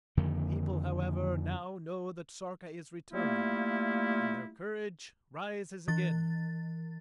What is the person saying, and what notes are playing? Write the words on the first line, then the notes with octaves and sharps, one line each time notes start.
The people, however, now know that Sarka is returning, and their courage rises again!
F2 D3 D#3 A#3
G3 A3 A#3 E4 F4
E3 A6